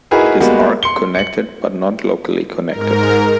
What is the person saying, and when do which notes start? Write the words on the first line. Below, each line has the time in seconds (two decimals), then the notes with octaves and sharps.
It is arc connected but not locally connected.
0.11 D#4 E4 F#4 G#4 A#4 B4
0.40 G3 G#3 A#3 B3 F#4
0.83 C6 C#7 G7
1.15 C#7 F#7
2.70 G#2 A#4